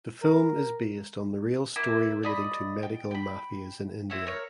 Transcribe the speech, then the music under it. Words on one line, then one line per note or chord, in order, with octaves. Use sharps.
The film is based on the real story relating to medical mafias in India.
A#4
A#3 E4
D5 D#5 B5
G5
G5 B5
C4 E4 C#5
A#4 C#5